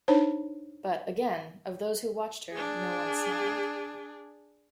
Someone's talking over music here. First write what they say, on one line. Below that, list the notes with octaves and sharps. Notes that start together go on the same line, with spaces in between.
But, again, of those who watched her no one smiled.
D4 D#4 C5 C#5
D4 G#4